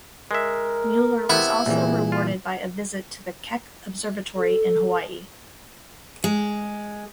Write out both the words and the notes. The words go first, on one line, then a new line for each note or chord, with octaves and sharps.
Mueller was also rewarded by a visit to the Keck Observatory in Hawaii.
G#3 A#4 E5
C3 B3 E4
C2 A#2 E3 G#4
F4
A4
G#3